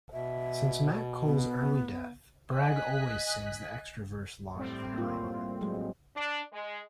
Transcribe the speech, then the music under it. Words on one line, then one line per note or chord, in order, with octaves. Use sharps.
Since MacColl's early death, Bragg always sings the extra verse live in her honour.
B2 E5
B3
D#5 G#5 F#6 B6
A2 G3 C4
A#3 F4
F#3 G#3
D4
G#3